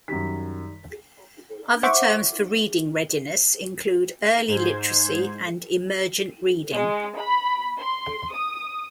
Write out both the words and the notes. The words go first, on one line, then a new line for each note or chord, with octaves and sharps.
Other terms for reading readiness include early literacy and emergent reading.
F#2 D#3 G3 B6
C5 E5 F#5 C#6 D6
G#2 C5 G#6
G#3
B5
C6
D#6